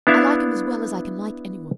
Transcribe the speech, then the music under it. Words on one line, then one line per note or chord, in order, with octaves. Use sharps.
I like him as well as I can like any one.
B3 D4 E4 E5 F5